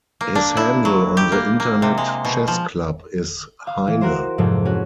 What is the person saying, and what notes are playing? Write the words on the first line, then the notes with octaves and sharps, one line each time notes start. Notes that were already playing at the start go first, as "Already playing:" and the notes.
His handle on the Internet Chess Club is "Heine".
A#3
D4
E4
F#3
G4
A#3
A#3
C3
G#3
B2
F3
F5
E3
F#4 A#4 C5
F2 G#2 C3 F3
C#4 F#4